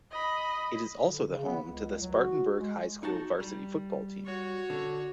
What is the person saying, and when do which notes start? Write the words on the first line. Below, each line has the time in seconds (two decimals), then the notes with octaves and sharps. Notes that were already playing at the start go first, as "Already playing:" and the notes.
It is also the home to the Spartanburg High School varsity football team.
0.11 D#5 B5
1.08 D3
1.29 C#3
1.46 B3
1.66 C#2
2.01 F#3
2.15 F#4
2.58 G#3
3.03 D#4 F#4 A5
3.40 G3
4.25 F#4 C#5
4.70 D3